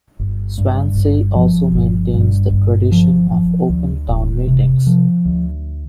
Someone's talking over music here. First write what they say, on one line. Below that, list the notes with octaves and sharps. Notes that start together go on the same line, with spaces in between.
Swansea also maintains the tradition of open Town Meetings.
G1
G2
G1
F3
G1
G2
G1
F3
F3
D2
E1
C3
F3
D2